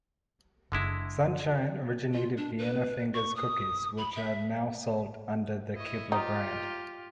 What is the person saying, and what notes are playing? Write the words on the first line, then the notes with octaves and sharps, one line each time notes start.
Sunshine originated Vienna Fingers cookies, which are now sold under the Keebler brand.
F#1 D3 G#3 D4 E4
F4
D4
B4
C#6
D#6
B5
E5
E4 D#5 C#6
D#4 F4 G4